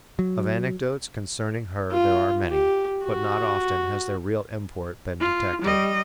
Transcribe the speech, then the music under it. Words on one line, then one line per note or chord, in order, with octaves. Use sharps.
Of anecdotes concerning her there are many, but not often has their real import been detected.
F#3
F4
G4
F#4
F4
G3 D#5